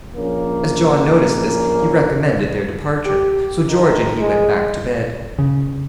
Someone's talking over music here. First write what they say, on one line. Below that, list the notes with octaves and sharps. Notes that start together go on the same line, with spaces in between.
As John noticed this he recommended their departure; so George and he went back to bed.
A#1 A#3 C#4
G4
D#3
G#3
C#3